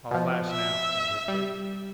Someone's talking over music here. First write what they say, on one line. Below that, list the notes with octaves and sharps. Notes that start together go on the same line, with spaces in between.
"I'll flash now," I whispered.
B2 F3
E5
G3